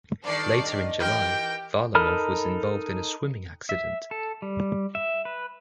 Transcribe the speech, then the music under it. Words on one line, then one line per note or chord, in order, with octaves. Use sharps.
Later in July, Varlamov was involved in a swimming accident.
G2 D#3 A4 D5 C7
E3 G4 A#4 G5
D#4 A4 A#4 B5 F6
E5
A4
G3
E5
B4